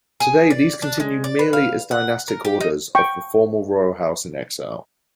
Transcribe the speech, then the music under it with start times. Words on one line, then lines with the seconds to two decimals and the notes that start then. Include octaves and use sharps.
Today these continue merely as dynastic orders of the former Royal house in exile.
0.20 G#4
0.50 D5
0.82 D4
1.00 G#3
1.24 D5
1.39 B4
1.53 F5
1.91 F#5
2.28 A#4
2.45 G4
2.61 D#4
2.95 G5 C#6